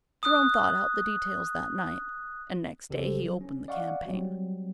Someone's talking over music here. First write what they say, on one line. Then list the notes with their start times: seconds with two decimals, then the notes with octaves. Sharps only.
Jerome thought out the details that night, and next day he opened the campaign.
0.23 D#6 F#6
2.90 A#1 C#3 G4 A4 C5
3.20 F#3
3.41 C#4
3.68 D5 D#5 F5 F#5 C#6
4.05 F#3 G3 C4